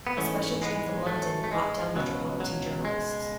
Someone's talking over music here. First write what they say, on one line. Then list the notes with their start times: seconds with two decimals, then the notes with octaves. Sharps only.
A special train from London bought down metropolitan journalists.
0.07 B3
0.17 G#2 E3 A3 C#4
0.62 G#3 B3
1.06 F#3 A3
1.44 A3
1.52 G#3
1.96 C#2 B2 F#3
2.40 F#3
2.85 G#3